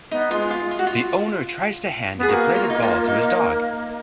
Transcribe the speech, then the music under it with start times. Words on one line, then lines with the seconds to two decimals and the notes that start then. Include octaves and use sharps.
The owner tries to hand a deflated ball to his dog.
0.11 B3 D#4
0.31 G#3 F4
0.51 F4
0.71 F4
0.79 F#4
0.87 F4
2.18 B3
2.23 G#4
2.28 A#3 F#4
2.55 F4
2.70 D#4
2.82 F4
3.07 D#4